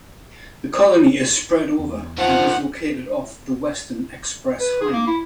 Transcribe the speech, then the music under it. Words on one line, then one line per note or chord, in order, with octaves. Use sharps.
The colony is spread over and is located off the Western Express Highway.
E2
D#3 F3 F4 F#5
B4
G#4
A#3
E4